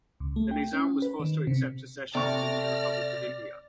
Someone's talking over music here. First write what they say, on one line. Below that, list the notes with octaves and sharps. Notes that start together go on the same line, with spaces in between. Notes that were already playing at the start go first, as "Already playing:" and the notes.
The Nizam was forced to accept accession to the new Republic of India.
C#2
A3
G5
C#4
B4
D#3
C3
C3 A3 D5 C#6 F6 A#6